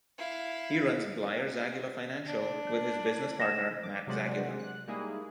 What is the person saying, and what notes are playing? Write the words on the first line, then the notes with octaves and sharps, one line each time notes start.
He runs Bleier Zagula Financial with his business partner Matt Zagula.
E4 F5
D4
A#6 E7
D6
C3 F#3 G#3 C5 D5 F#5
F#6
G3 G#3 A#3 D#4 E4 G#4